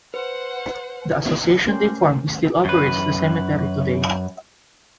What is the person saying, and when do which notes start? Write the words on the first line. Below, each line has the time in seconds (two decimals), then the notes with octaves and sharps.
The association they formed still operates the cemetery today.
0.14 B4 C5 F#5
1.66 A3 C#4 G4 A#4 C5
2.65 F#2 B4